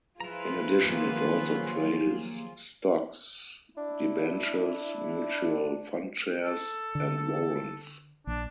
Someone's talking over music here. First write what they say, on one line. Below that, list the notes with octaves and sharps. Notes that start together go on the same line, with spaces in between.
In addition, it also trades stocks, debentures, mutual fund shares, and warrants.
F3 E4 F4 G#4 B4 A#5
D#3 F#3 A#3 G4 E5
D4 E4
A4
D3
A#1 D4